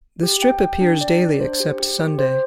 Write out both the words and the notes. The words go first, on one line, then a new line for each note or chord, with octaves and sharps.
The strip appears daily except Sunday.
G4
G5
G5
D4
D5
D4
C5
G4
G4
G4
C5